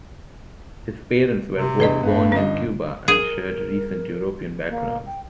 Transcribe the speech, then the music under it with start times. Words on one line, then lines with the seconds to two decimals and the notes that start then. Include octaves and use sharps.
His parents were both born in Cuba and shared recent European backgrounds.
1.54 C3
1.80 E2 G2 B4 D5 D#5
2.03 G2 B3
2.32 G1 C#4 D#5
3.08 G#4 A#4
4.69 A#3
5.06 G5